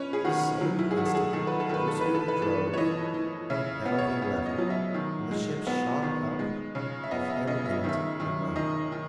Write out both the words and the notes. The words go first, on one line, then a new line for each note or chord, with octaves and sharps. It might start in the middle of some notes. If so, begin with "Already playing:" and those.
At the same instant Lucifer drove down a lever and the ship shot up with him in it alone.
Already playing: C#4 B4 C#5
G#4
D#3 F#4
F#3
E4
G#4
D#3 F#4
A4
G#4
D#3 A4
B4
A4
D#3 B4
A4
E3 B4
A4
B4
E3 A4
C#5
E3 D#5
E3
C#3 E5
B3
C#5
B3
D#5
F#3
E5
D#3
G#3
B3
D#3
G#3
C#3
E5
B3 D#5
E5
C#3 D#5
E5
D#3 E5
D#3
D#3 D#5
D#3